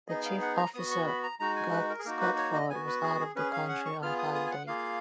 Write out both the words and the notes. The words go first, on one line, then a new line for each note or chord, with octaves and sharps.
The Chief Officer, Garth Scotford, was out of the country, on holiday.
B3 D#4 G#4 D#5
F5
F#5
A#5
B3 F#4 D#6
C#6
B5
A#5
G#3 D#4 F#4 A#5
G#5
B4
A#4
G#4
A#3 D#4 F#4 A#4
B4
C#5
D#5
B3 F#4 G#5
B4
G#4
G#4
C#4 G#4 B4
F5
F#5
C#6
B3 F4 G#4 F6
D#6
D#6
G#5
F#5
A#3 F4 G#4 F5